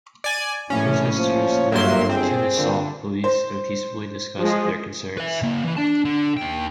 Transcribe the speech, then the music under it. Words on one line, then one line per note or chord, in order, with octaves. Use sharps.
Protesters met with Kennesaw Police and peacefully discussed their concerns.
D5 G#5
F#1 A2 E3 C#4
F3 A#3
G1 G2 F#3 A#3 E5 C6
C4 G#4
A#2 D3
C5
F3 G#3
B4 E5
C#3 A#3
E3 E4
D4 A5
D3
D#2 G5